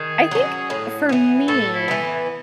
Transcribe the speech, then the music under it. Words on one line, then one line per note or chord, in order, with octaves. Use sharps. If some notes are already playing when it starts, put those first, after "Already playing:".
I think for me,
Already playing: D#3 G#4
F#3 C#4
A2
E3 B3
A2 A4
E4
E3 B3